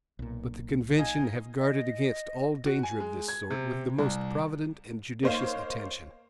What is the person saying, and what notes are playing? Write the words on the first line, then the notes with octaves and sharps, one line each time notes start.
But the convention have guarded against all danger of this sort, with the most provident and judicious attention.
B1 A#2
D#4 D#5 F5 G#5
D#5
F#4
G#5
G#3
G#6
C3
C2
A#3 D#4 C5 C#5 F5